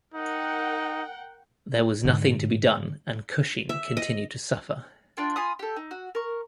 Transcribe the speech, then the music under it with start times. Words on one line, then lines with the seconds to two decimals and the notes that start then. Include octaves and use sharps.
There was nothing to be done and Cushing continued to suffer.
0.14 D#4 A#4 F#5 G5
2.05 G#2 D3
3.69 E5
3.97 D#5
5.17 D4 F4 G5
5.36 F4 G#5 B5 D#6
5.59 G4 A4
5.76 D#4
5.91 F#4
6.15 A#4 C#6